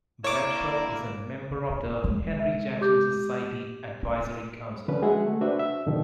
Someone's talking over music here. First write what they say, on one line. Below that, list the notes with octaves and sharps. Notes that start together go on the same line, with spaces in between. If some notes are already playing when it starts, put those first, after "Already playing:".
Bradshaw is a member of the Henry Jackson Society Advisory Council.
A#3 E4 C#5 D5 D6
G#3
E5
G4 D6 G6
D3 F3 C#4 B4
G#3 F#4 G#4 E5 F#5
A3
D4 F#4 B4 C5 E5
E5
G2 B2 D3 D#3 F3